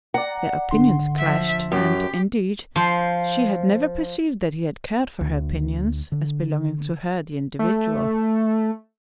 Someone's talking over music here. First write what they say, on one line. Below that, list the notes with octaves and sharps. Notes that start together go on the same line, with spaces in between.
Their opinions clashed; and indeed, she had never perceived that he had cared for her opinions, as belonging to her, the individual.
D5 F#5 A#5
G#1 D3 C6
F3 E5
F#2 G4
F3 C5
D2
D3
A3